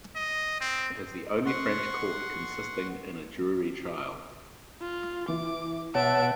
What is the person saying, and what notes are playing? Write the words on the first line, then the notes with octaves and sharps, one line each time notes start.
It is the only French court consisting in a jury trial.
D#5
C4
F#5 C6 C#6
F4
E3 D6
B2 C#5 E5 F#5 A5 D7